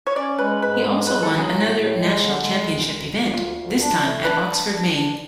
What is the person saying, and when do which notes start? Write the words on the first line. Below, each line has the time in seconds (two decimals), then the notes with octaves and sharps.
He also won another National Championship event, this time at Oxford Maine.
0.07 C#5
0.16 C#4 D5
0.39 G#3 B4
0.62 G#2 B4
0.85 G#3
1.07 F#3 B4
1.23 A4
1.30 F#3
1.38 G#4
1.49 F4
1.52 A2 F#4
1.76 A2
1.98 G#3
2.20 D3
2.43 G#3
2.67 D2
2.88 D2
3.11 D2
3.34 D2 F4
3.56 D2
3.80 D4
4.02 A3
4.24 D4 B4
4.47 D4
4.71 D4
4.92 D4